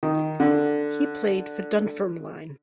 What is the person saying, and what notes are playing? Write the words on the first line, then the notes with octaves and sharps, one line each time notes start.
He played for Dunfermline.
D#3
D3